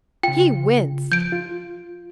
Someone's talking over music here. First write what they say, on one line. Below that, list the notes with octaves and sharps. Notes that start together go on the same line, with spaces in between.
He winced.
C#3 F4 G5
F3 G6 D7
F4